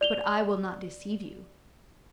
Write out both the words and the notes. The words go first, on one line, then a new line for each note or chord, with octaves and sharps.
But I will not deceive you.
D5 F7 G7